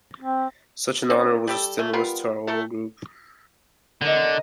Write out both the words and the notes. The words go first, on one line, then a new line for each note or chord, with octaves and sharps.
Such an honour was a stimulus to our whole group.
C4
C4 C#4 D#4
G3 G4 A4
A3 G#5
G3 B3 F4 A#4
A3 A4 A#4
D3 A#4 D#5